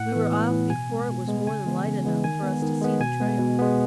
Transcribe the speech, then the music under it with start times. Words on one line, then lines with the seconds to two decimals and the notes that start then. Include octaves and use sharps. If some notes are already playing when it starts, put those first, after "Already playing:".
We were off before it was more than light enough for us to see the trail.
Already playing: A2 F#5
0.12 E3 B3
0.32 A2
0.51 E3 B3
0.70 B2 G#5
0.90 G#3 B3
1.08 B2
1.28 G#3 B3
1.47 C#3 G#5
1.66 E3 G#3 B3
1.86 C#3
2.05 E3 G#3 B3
2.24 D#3 G#5
2.43 G#3 B3
2.62 D#3
2.81 G#3 B3
3.01 B2 G#5
3.20 G#3 B3
3.39 B2
3.59 G#3 B3